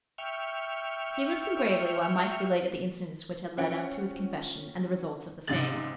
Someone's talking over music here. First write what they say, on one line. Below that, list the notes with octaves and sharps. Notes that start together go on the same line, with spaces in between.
He listened gravely while Mike related the incidents which had led up to his confession and the results of the same.
E5 G5 C#6 F6
F3 C4 C#4 F#5 D7
C#2 G#2 C3 F5 A6 F#7